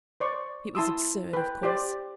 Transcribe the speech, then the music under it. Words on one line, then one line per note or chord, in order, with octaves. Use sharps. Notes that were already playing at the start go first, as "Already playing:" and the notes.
It was absurd, of course.
C5 D5 C#6
E4 A5 C6 D#6 E6
B4 G5
G4 C5 D5